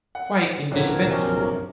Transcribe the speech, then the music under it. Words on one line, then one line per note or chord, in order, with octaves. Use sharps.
"Quite indispensable."
F#5
D1 A#1 D3 C4 A#4 C#5
C3 F3 F#3 C#4 D#4